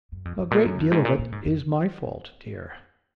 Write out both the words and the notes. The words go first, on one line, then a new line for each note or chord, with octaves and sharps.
'A great deal of it is my fault, dear.
F#2
F2
F#2
A#2
F#2
F2
G#2
A#2
A#2
G#2
F2